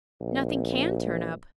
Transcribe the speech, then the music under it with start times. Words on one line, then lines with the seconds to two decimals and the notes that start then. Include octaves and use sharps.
Nothing can turn up.
0.20 A#1